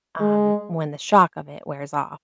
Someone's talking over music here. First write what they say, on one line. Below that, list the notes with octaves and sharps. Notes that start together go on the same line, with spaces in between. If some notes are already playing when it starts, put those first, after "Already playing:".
um, when the shock of it wears off
G#3